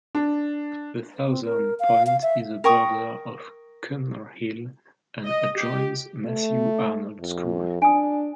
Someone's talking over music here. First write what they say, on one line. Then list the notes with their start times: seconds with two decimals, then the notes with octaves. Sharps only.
The southern point is a border of Cumnor Hill and adjoins Matthew Arnold School.
0.15 D4
1.27 C4
1.45 A#4
1.80 F5
2.07 F5
2.22 E5
2.64 A#4 G5 C#6 D#6
5.25 D#5
5.57 G4
6.25 A3
7.19 F2
7.82 D4 G#5 D#6